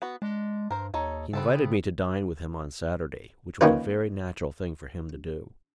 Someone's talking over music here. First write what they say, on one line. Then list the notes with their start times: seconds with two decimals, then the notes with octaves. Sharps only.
He invited me to dine with him on Saturday, which was a very natural thing for him to do.
0.02 B3 F#4
0.22 G#3 D4
0.71 G2 A#4 C5
0.94 D#2 D#4 A4 C#5
1.33 C#3 B3 C4 A4
3.61 D#3 A#3 C#4 F4 B4